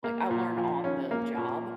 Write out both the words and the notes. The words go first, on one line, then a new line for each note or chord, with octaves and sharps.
like I'll learn on the job
A#3
A#2
F3
C#4
A#3
A#2